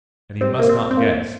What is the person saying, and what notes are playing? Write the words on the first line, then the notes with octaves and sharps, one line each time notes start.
"And he must not guess."
G#2 G3 C4
A#3
C4
C4
A#3